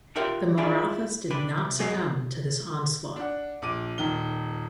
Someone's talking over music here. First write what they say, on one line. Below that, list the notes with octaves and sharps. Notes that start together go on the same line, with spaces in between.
The Marathas did not succumb to this onslaught.
F4 G4 A#4 E5 F#5
D4 E4 F4 G#4 D5
D4 B4
C3
F#3 G#4 D#5 F5
D4 F#5
A#1 D6 D#7
D#1 D#3 G7